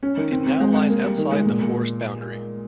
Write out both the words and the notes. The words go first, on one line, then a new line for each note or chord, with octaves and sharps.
It now lies outside the forest boundary.
C#4
D#3
C4
C4
G#3
G#3
A#3
G3
D#3
G#3
A#2
A#2